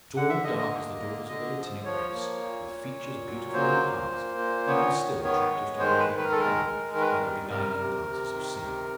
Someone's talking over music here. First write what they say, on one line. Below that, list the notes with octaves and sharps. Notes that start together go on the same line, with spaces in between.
Tall and dark as the daughters of the Latinic race, with features beautiful in the past--even still attractive to those not repelled by the beguiling glances of sin.
D3 F#5
E5
D3 D#5
D#5
A#3
D3
D3 D#5
F3
F3 C#5
A#3
A#2
A#2
A#2
F#3
A#3 C5
A#2
A#3
A#2
B3 C#5
D#3
B3 C#5
G#3
D#3 C5
B4
D#3
B4
A#4
A4
G#3 A#4
G#3
D#3 A#4
B4
A#4
G3
C3 A#4
C3
C3
D#3
C3